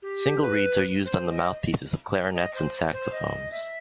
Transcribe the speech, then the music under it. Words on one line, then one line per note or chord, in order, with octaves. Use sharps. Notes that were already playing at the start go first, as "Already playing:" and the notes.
Single reeds are used on the mouthpieces of clarinets and saxophones.
G4
B4
C5
D#5
D#5
C5
C5
D#5
E5